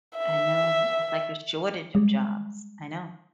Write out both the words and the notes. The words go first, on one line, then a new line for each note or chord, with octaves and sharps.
I know, it's like a shortage of jobs, I know.
E5
G3 G#3